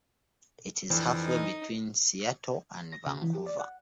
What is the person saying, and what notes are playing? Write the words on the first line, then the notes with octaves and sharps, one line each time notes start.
It is halfway between Seattle and Vancouver.
F2 E3 C4 D4
D#4
A#6
C#3
E3
G4
D5
F#5